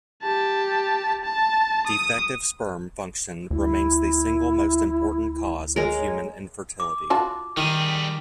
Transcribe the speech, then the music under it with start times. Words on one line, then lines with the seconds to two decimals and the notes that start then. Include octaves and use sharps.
Defective sperm function remains the single most important cause of human infertility.
0.23 G4 A5
1.24 A5
1.87 D#6
3.51 D2 E4
5.76 G#3 A#4 C#5
6.80 D6
7.10 F4 F#4 A5
7.57 D#3 G3 G#4